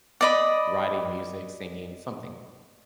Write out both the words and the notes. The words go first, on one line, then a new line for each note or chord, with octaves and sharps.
writing music, singing, something,
D5 D#5 B5